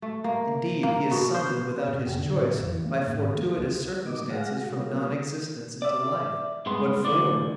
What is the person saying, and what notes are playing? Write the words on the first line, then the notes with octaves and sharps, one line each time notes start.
Indeed, he is summoned without his choice by fortuitous circumstances from non-existence into life . . . what for?
A3
A#3
A#3
B2
C5
A#2
F1
D3
A1
A1
F2
E3
A#3
G#2
D#3
A#3
C#2
D#3 F#3 A#3 B3 D#5 D6
G#3 G#4 F5 F#5 A#6
F#4
G3 A#3 B3 C#4 F4
D5 E5
G2 G#3 B3 C6
D2 E3 F3 D4 D5